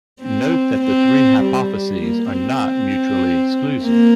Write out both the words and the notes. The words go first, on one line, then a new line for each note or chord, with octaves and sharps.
Note that the three hypotheses are not mutually exclusive.
C4
C4
G3
A#3
C4
A#3